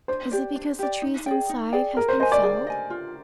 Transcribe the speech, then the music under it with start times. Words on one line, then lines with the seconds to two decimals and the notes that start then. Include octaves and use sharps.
Is it because the trees inside have been felled?
0.08 D4 C5
0.31 G4 D5
0.56 D4
0.79 G4 D5
1.02 D#4
1.26 G#4 D5 G5
1.49 D#4
1.73 G#4 D5 G5
1.97 G#4 A#4
2.09 C5
2.20 C5 D#5 G#5
2.32 D5
2.43 G#4
2.67 D#5 G#5
2.90 F4